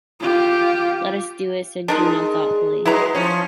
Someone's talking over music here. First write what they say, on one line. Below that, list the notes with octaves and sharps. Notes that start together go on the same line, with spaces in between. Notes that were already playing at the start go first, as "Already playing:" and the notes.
"Let us do it," said Juno thoughtfully.
F4 G4
G#3 D4 D#4 A#4
F#3 G#3 E4 B4 A#5
F3 C#4